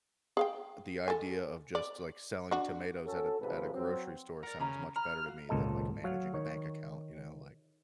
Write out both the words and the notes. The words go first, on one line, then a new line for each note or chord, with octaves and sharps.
the idea of just, like, selling tomatoes at a at a grocery store sounds much better to me than, like, managing a bank account, you know, like
G#4 F5 G5
A4 G#5
D5
D4 F#4
C#4 F#4 A4
A1 G#2 C3 F3 B4
F#3 C4
A#4 D5 F#5
C#3 A#5 B5
A#5 B5 F6
F#4 F5
G#1 C#2 A#2 A4 D#5
F#3 F5 F#5
D#3 C#5